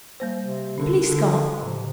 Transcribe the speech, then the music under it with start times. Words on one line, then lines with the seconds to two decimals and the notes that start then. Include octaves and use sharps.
Please come!
0.20 G3 A#3 C5
0.43 C3
0.78 D3 C#4 D4 A#4
1.05 D3
1.62 A2 C#3 F3